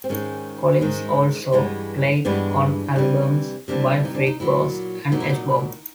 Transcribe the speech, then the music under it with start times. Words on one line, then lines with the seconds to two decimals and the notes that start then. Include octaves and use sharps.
Collins also played on albums by Freekbass and H-Bomb.
0.04 C4
0.09 G#2 D#3 G#3 C#4
0.81 G#2 D#3 G#3
1.52 G2 E3 G#3 B3
2.25 G2 E3 G#3 B3 D4
2.96 C3 E3 G3
3.68 C3 E3 G3 D4
4.05 D#4
4.15 D4
4.27 D#4
4.40 A#2 F#3 A#3 E4
5.12 A#2 F#3 A#3 D#4
5.20 E4
5.30 D#4